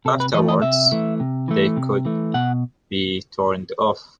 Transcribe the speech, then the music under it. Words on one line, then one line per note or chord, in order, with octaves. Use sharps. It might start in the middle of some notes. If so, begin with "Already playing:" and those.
Afterwards, they could be turned off.
C3 A4
B4
E3 A3 D#5
D#5
C3 E5
E3 A3
C3
E3 A3
C3
E3 A3
B2 F#5